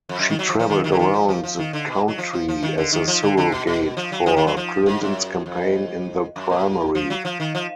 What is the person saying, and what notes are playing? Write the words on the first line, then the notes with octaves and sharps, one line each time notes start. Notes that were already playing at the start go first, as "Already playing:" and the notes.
She traveled around the country as a surrogate for Clinton's campaign in the primary.
F2
F#2
D#3
F#3
F3
F3
D#3
D#3
D3
D#3
F3
F3
F3
D#3
D3
B2
F#3
F3
F3
F3
D#3
D3
D#3
F3
D3
D3
B2
B2
F3
F#3
F3
D#3
F#3
F3
G#2
F#2
F2
F#2
A#2
F3
F#3
F3
D#3
F3